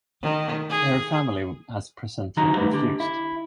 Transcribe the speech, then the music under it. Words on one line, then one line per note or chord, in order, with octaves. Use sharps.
Her family has presently refused.
D#3
G#4
C#2 D#3 F#3 D#4 G4 A#5
G3 A3 D#4 G4 B4
D3 G4
E4